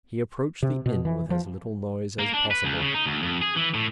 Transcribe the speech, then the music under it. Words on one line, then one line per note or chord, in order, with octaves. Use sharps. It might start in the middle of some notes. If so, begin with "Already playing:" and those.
He approached the inn with as little noise as possible.
C3
B2
E3
F3
A#3
D4
B4
C#2
C#3
D#4
D2
F2
G#4
E3
A2